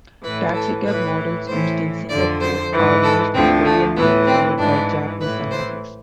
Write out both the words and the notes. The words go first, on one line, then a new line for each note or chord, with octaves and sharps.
Taxicab models used in Singapore are mostly Korean-made, followed by Japanese and others.
A2 E3 B4
A4
A2 E3 B4
A2 E3 C5
F2 D3 F3 D5
C5
G#2 E3
A4
D2 D3 F3 C4
A3
A2 E3 B3
C4
G#2 E3 D4
A2 E3 B4
C5